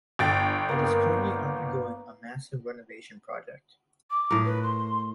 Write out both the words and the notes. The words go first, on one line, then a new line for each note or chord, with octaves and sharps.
It is currently undergoing a massive renovation project.
G1 G5 A6
A#3 B3
D6
A2 A#4
B4
C6